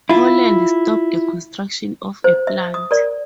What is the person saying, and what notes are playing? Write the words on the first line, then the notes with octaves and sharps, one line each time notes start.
Poland stopped the construction of a plant.
E4 F4
C5
E5
D#6
A#4 D5